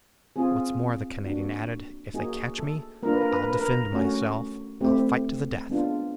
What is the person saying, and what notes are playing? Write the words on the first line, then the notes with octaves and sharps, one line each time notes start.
"What's more," the Canadian added, "if they catch me, I'll defend myself, I'll fight to the death."
C4 F4 G#4
A#3 D4 F#4
A#3 D#4 F#4 G#4
A4
A#3 D4 F4 A#4
B4
A#4
B4
A#4
B4
A#4
A3 C#4 F#4
A3 C4 E4 G4
G#3 B3 D4 F4